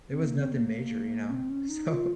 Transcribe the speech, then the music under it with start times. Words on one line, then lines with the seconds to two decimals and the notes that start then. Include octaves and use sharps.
it was nothing major, you know? So,
0.12 C4
0.25 A#3
0.38 C4
0.51 A#3
1.30 C#4
1.33 C4
1.49 C#4
1.69 D#4
1.89 F4